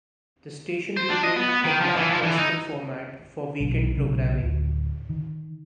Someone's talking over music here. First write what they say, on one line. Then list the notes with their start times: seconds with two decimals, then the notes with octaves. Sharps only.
The station retained the Black gospel format for weekend programming.
0.97 C5
1.10 D4
1.24 D#5
1.36 B3
1.49 B3
1.64 D#3
1.81 F3
1.96 E3
2.10 F3
2.23 E3
2.38 D#4
3.60 B1
3.97 B1 C#3
4.40 D1
5.09 D#3